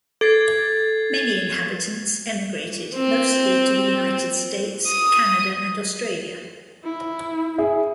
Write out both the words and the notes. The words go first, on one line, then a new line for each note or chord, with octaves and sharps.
Many inhabitants emigrated, mostly to the United States, Canada and Australia.
A4 G#6 A6 C7
C4
D#6
E4
G#4 E5